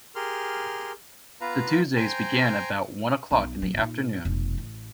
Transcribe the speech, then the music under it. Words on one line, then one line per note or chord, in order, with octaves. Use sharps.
The Tuesdays began about one o'clock in the afternoon.
G4 G#4 A#4 C6 F6
B3 F4 B4 F5 A#5
C5 G5 G#5 A#5
B1
F#3
A#2 D#4
F1 B2
A1